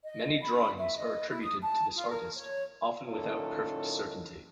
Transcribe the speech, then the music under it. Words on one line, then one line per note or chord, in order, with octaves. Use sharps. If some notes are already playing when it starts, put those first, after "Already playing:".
Many drawings are attributed to this artist, often without perfect certainty.
D#5
B5
E5
D#5
E4
D#6
A5
F4
A#4
C#5
F#2 A#2 D#3 C#4 E4 A4